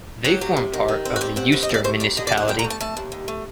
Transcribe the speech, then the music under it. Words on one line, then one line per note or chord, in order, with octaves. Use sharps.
They form part of the Eystur municipality.
F#3 G4
F#3
C3
D#3
D#3
C4
F#4
G2 G4
C4 F#5
D#2 F#5
D#5
D#2 D5
A3 C5
D#2 D5
D3 D#5
D5
D3
F#5
F#2 G5
A#5
A3
A5
A3 A5
D#2
D#2
A3